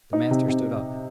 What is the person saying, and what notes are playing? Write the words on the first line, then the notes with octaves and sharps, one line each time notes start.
The master stood up.
D#4
C3
C3